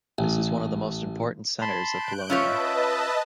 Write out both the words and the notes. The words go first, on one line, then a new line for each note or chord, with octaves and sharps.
This is one of the most important centers of Polonia.
A1
A5 B5 C6
F#6 G6 D7
C#4 F4 B4 C#5 D#5 E5 A5